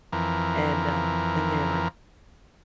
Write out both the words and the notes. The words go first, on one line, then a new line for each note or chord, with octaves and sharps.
and, um, then they're like
F2 E3 A#4